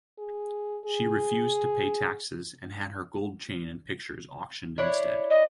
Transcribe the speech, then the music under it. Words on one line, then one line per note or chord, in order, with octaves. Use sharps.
She refused to pay taxes and had her gold chain and pictures auctioned instead.
G#4
G#4
D4 E4 C#5
D#5